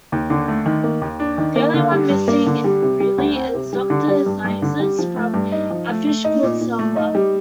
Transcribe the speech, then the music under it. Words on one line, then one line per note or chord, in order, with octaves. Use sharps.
The only one missing really is "Doctor Zaius" from "A Fish Called Selma".
D#2
D3
A3
D#3
A#3
D#2
D4
D#3
A#3
D3
G3
G2
A#3
D3
G3
C3
G3
D2
C4
C3
G3
D3
G3
G2
G2
D3
G3
F3
A3
G2
D#4
F3
A3
A3
D#4
A#2
A#2
A3
D#4
G3